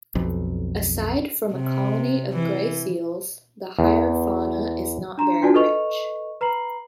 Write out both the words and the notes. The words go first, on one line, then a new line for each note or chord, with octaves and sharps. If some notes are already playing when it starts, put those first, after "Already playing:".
Aside from a colony of grey seals, the higher fauna is not very rich.
B1 F2
C3
E3
E2
D4 A#5 C6 E7
D4 F4 F#4 D5 G#5 A5
A4 B4 D#5 C#6 F7
B4 A#5 B5 C7 F#7